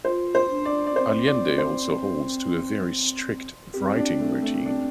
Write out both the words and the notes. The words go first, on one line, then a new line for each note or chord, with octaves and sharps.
Allende also holds to a very strict writing routine.
F4 C5
C5
D4
D5
D5
C4 C5
D5
C5
C4 G4
D4
A3
A3
D4